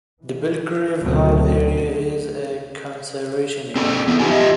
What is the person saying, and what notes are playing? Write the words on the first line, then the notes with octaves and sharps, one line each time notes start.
The Belgrave Hall area is a conservation area.
E3
D2 B2 F#3 A3 C4 C#4
C4 G#4 A4
E3 B3
E3 D#4 F4 G4 G#5
F4 G4 D#5 E5